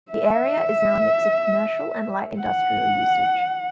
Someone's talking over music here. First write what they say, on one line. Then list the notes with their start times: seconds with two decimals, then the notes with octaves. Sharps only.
The area is now a mix of commercial and light industrial usage.
0.12 E5
2.40 F#5